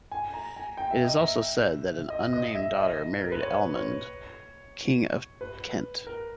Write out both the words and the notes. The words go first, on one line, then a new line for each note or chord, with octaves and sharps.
It is also said that an unnamed daughter married Ealhmund, King of Kent.
G#5
A#5
G#5
G5
E5
D#5
E5
D#5
D#5
E5
D#5
A#4
B4
C#5
C#5
B4
A#4